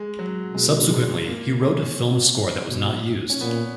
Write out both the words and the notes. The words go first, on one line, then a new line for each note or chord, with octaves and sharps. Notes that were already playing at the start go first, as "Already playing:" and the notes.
Subsequently, he wrote a film score that was not used.
Already playing: G#3
F#3
B2 G#3
G#3
A#3
C#4
B2
C#4
A#2 B3